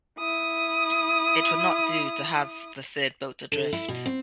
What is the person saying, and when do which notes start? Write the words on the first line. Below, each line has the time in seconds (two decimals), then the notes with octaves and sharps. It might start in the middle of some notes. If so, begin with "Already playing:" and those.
It would not do to have the third boat adrift.
0.18 E4 D#6
3.52 D3
3.73 E4
3.88 B2
4.06 C4